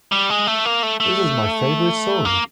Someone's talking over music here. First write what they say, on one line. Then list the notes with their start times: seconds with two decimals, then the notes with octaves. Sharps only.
This is my favorite song!
0.12 G3
0.30 G#3
0.47 A3
0.65 A#3
0.83 A3
1.00 A3
2.25 A#3